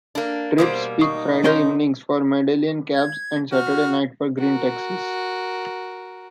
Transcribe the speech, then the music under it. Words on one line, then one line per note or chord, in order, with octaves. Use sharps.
Trips peak Friday evenings for medallion cabs, and Saturday night for Green Taxis.
A#3 D4
B2 G3 A#3 C5 D#6
D#4 C#6 D#6 C7
C#4 A#4 D#5 C6 G6
G#6
F#4 F6
F#4 A#4